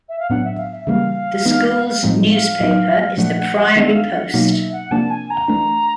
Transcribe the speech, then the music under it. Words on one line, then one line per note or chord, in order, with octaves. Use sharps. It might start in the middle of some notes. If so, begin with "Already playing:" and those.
The school's newspaper is the "Priory Post".
E5
F5
A2 F#3 B3 D4 F#5
E5
F5
E5
C#3 E3 G3 A#3 F5
E3 G#3 B3 D#4
A2 F3 G#3 C4 D#4
F5
A2 F#3 B3 D#4
A#2 F3 A3 D4 F#5
D#3 G#3 B3 D4 E5
F5
F#5
B2 F#3 A#3 D#4 F5
E5
F#5
C3 F3 A#3 D4 A5
G#5
A#5
E3 A3 D4